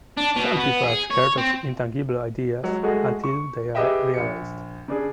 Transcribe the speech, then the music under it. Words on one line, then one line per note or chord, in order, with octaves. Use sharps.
Some people are scared of intangible ideas until they are realized.
D4
B2
B3
G#4
C#5
C4
F#3 G#3
G#3 A3 F#4 G#4
C#6
G4 G#4 B4 D#5 E5 G5
A#1 C#7
C#3 D4 G#4